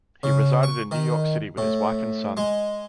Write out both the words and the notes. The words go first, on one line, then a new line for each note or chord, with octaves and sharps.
He resided in New York City with his wife and son.
C#3
C#6
D#3
A2
G#3